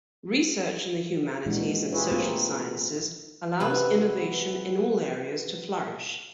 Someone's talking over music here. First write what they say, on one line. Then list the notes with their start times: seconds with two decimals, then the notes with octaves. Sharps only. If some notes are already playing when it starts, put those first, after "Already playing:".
Research in the humanities and social sciences allows innovation in all areas to flourish.
1.46 A#2 E3 G#3 D4 F#4
1.92 F4 G4 G#4 B4 C#5 E5
2.12 A3 A#3 C4 D#4 F4
3.60 C3 E3 F#4 B4